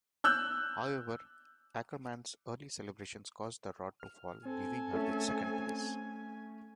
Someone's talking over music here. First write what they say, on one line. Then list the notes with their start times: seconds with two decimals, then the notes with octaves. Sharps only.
However, Ackermann's early celebrations caused the rod to fall, leaving her with second place.
0.24 E6 F#6 G6
4.00 F6
4.45 C4 A4 G#5
4.93 A3 C#4